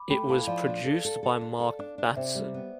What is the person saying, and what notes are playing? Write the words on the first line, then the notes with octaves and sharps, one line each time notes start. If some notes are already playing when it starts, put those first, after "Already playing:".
It was produced by Mark Batson.
Already playing: B5 D6
A3 G5 B5
E4 F5 A5
F3 D5 F5
D4
A4
A4
A4
D4
A4
D4
D4
C3 C5 E5
G3
B3